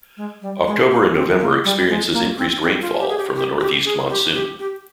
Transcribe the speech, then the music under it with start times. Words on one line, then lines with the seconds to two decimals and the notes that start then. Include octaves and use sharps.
October and November experiences increased rainfall from the Northeast monsoon.
0.17 G#3
0.42 G3
0.67 G#3
0.91 A#3
1.15 C4
1.40 A#3
1.64 G3
1.89 G#3
2.13 A#3
2.38 C4
2.63 C4
2.81 F4
3.00 G4
3.09 G#4
3.17 G4
3.36 G4
3.60 G4
3.85 G#4
4.10 G4
4.35 G4
4.59 G4